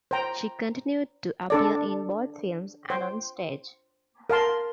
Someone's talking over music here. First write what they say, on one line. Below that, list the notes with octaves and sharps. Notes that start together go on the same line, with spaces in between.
She continued to appear in both films and on stage.
C5 G5 A#5
D4 A4 D5
C5 G5 C6
A#4 F5 A5 C6